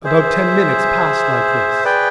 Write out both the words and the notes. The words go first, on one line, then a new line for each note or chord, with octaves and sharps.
About ten minutes passed like this.
G#4 C5 E5
G#4 B4 D5 G5